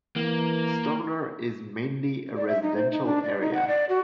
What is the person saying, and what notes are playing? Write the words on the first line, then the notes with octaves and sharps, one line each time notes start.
Stovner is mainly a residential area.
E3 A#3
D5
E5
D#4
C5
D#4
D4
D5
D#4
F#5
D5
F#4